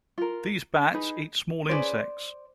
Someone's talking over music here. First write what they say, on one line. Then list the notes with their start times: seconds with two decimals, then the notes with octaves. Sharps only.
These bats eat small insects.
0.18 F4 A#4
0.94 D#4 G#4 B4
1.69 C#4 F4 G#4 B4 C5 D5